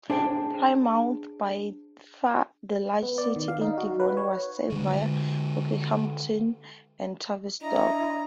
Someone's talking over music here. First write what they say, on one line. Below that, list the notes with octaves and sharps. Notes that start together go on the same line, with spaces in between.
Plymouth, by far the largest city in Devon, was served via Okehampton and Tavistock.
D4 G#4 C5 G5 A5
B3
D5
D#3
F5
D#4
F#4
B4
C#5
D3 G#3
D4 E4 D#5 A#5